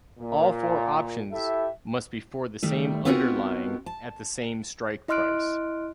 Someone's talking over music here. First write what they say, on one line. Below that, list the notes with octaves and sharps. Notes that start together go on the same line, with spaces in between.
All four options must be for the same underlying at the same strike price.
A#2
E4 G4 A4 E5
D#3 G3 A3
B3 C4 D#4 F4 F#4 A#4
A5
E4 D#5 C6 F6 F#6 D7